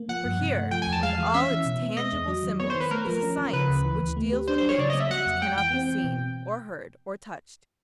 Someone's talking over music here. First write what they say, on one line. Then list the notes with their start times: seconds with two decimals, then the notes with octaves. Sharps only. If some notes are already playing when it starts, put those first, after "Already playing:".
For here, with all its tangible symbols, is a science which deals with things which cannot be seen or heard or touched.
Already playing: A#3
0.09 F3 F#5
0.25 G2
0.40 C3
0.56 A3
0.71 F3 G5
0.82 G#5
0.87 E2
0.93 A5
1.03 G#3 F5
1.18 E3
1.34 C#4 E5
1.50 E3
1.65 B2
1.82 B3
1.97 G#3 D#5
2.13 E2
2.28 F#3
2.44 D#3
2.60 B3 C#5
2.70 C5
2.75 D#3
2.80 B4
2.91 A3 A#4
3.07 F3
3.23 C#4
3.38 F3
3.53 C#3 B4
3.69 D2
3.85 E3
4.00 D2
4.17 A3
4.33 G4
4.48 D4 C5
4.58 C5
4.63 F#3
4.69 C#5
4.79 C#3 D5
4.90 D#5
4.94 A#3
5.00 E5
5.10 F#3 F#5
5.27 F2
5.42 G#3 G5
5.57 E3 G5
5.74 C4
5.89 E3
6.04 B2